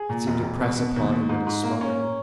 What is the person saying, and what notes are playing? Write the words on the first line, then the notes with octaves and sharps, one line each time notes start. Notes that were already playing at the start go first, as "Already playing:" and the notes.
It seemed to press upon him and to smother him.
Already playing: G#4
A#2
E1
E1
B2
B2
D#2
D#2
G#2
G#2
A#3
C#4